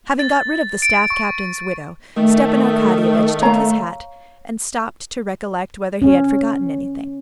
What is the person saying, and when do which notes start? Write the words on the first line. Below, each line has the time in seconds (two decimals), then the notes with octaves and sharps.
Having got rid of the staff captain's widow, Stepan Arkadyevitch took his hat and stopped to recollect whether he had forgotten anything.
0.19 A6
0.82 D7
1.10 C#6
2.17 D#3 A3
3.42 C#5 F5 A#5
6.02 C#4